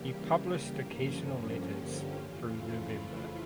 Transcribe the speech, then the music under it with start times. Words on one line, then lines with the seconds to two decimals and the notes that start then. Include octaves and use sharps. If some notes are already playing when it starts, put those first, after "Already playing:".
He published occasional letters through November.
Already playing: C#3 E3 G3 A#3 G4
0.78 G2 D3 F3 A#3 C#4
1.47 G4
2.16 F2 C#3 E3 A3 F4
2.50 E4
2.85 F4